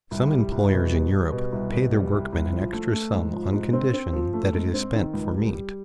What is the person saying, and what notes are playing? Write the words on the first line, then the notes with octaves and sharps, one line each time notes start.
Some employers in Europe pay their workmen an extra sum on condition that it is spent for meat.
C2
G3
C2
B2
G3
G3
B2
C2
B2
G3
C2
C2
F3
A3
A3
G#2
F3
G#2
C4
C4
F3
A3
G#2
C4
D#3
C#2
G3
G3